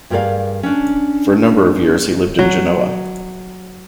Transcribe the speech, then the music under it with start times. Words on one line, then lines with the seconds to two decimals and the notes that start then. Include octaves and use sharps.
For a number of years he lived in Genoa.
0.10 G2 G4 G#4 A#4 D5 F5
0.63 C#4 D4
2.39 F#3